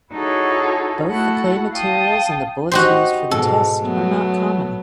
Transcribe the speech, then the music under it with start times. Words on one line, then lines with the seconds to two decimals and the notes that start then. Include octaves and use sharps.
Both the clay materials and the bullets used for the test are not common.
0.13 D#4 E4 F#4 G#4 A4 C#5
1.09 A3 E4 F#4 A4 F#5
1.74 F5 G5 A5 D#6
2.71 D#4 F#4 G4 C5
3.31 G#2 B2 A4
3.80 F#3 A3 B3